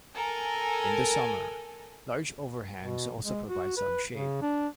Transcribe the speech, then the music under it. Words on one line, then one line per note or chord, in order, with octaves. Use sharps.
In the summer, large overhangs also provide some shade.
A4 A#4 G#5
B2
G#3
F#4
B4
C#3
D4